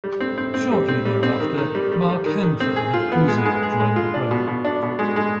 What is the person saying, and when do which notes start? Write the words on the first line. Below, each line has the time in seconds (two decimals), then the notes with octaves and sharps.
Shortly there after Mark Hanford of Cruzio joined the program.
0.04 G3
0.20 C4
0.38 C4
0.54 C4
0.71 G3
0.88 C4
1.05 G3
1.23 C4
1.40 D#3
1.58 D#3
1.75 G3
1.92 G3
2.09 G3
2.26 D#3
2.43 D#3
2.60 C4
2.76 G#4
2.93 F4
3.12 B3
3.28 G#3
3.45 G#3
3.63 G#4
3.80 G#3
3.96 F4
4.14 D4
4.31 B2
4.47 B2
4.65 D4
4.82 B2
4.99 G#3
5.16 G#3